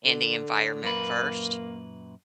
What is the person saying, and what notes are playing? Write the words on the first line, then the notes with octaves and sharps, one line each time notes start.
in the environment first
D3
F#2 A#2 A#3 B4